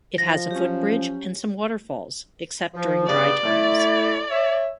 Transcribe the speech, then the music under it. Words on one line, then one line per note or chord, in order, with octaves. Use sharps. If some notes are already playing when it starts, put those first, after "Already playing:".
It has a footbridge and some waterfalls except during dry times.
F3 A#6
F#3 C#4 G4
F3
G2 C#3 B3 D5
A3 E4
C#5 E5